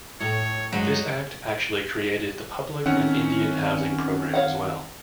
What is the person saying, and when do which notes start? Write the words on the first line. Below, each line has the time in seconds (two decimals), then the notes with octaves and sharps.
This act actually created the Public and Indian Housing program as well.
0.20 A2 A4 C#5 A#5
0.73 G2 F#3 G#3 D#4
2.86 D#3 C4 C#4 F#5
4.34 C#5 F5 F#5